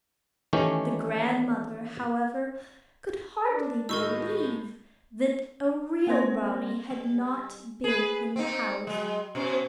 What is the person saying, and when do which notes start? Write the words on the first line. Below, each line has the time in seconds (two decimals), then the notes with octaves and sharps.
The grandmother, however, could hardly believe that a real brownie had not been in the house.
0.53 D#3 E3 A3 C#4 G4
3.50 D4
3.89 A2 D#3 G#3 F#4 A#4 D#5 C#6 E6
6.07 A#3 C4 A#4 C5 C6 A#6
6.90 G3
7.84 G#4 B4
8.36 C4 D#4
8.87 F#3 G#3
9.35 B2 C#4 C5